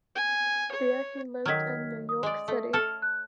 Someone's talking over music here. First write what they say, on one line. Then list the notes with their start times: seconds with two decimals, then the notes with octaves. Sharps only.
There he lived in New York City.
0.15 G#5
0.71 C#5
1.45 D#3 F#3 F6 G#6 B6
2.09 D#6
2.23 G#3 D5
2.48 A3
2.73 A4 C#5 A5 F6
3.02 F#6